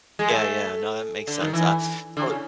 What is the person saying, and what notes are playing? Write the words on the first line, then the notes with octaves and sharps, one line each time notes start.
Yeah, yeah, no, that makes sense, uh, so
G#3
A3
D3
D#3
E3
D3
C#3